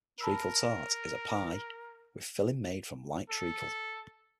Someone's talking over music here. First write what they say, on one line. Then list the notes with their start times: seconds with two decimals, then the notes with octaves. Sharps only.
Treacle tart is a pie with a filling made from light treacle.
0.21 A#4 A5 B5 E6
3.29 A4